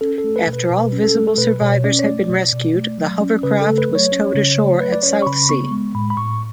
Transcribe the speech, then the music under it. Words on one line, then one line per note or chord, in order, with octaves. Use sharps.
After all visible survivors had been rescued, the hovercraft was towed ashore at Southsea.
C#4 A4
A4
A3
B4
B2
B4
B2 B4
C#4
A4
A3
A4
B2 B4
B2 C#5
C#4 D5
C#5
A3 D5
B2
B2
A3
F#3
C#4
C#3 B4
A4
A3
B4
F#3
C#5
C#4
C#3
A3
F#3 B4
D5
C#4 C#5
C#6
C#3 B5
B3 C#6
G#3
A2 B5
B5
A2 C#6